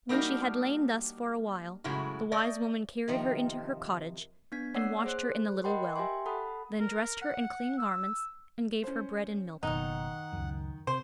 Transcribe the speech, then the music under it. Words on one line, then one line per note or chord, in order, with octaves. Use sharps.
When she had lain thus for a while, the wise woman carried her into her cottage, and washed her in the little well; then dressed her in clean garments, and gave her bread and milk.
G3 A#3 D4 D#4 F#4
F#2 A2 C#3 G#3 F#4
A3 D5 D#5
C3 D#3 F3
B3 D4 G#6 B6
A#3 C#5 D5 F#5 E6 C7
G#4 C5 F#6
A#4 D#5 F#5 G5 B5 C6
G4 E5 G5 G#5 C6
A4 F#5 A5 B5 D#6
A#4
F#5
E6
C#4 C5
F#1 B2 D#3 D#4 F#5
C#2 F#2
C3 C5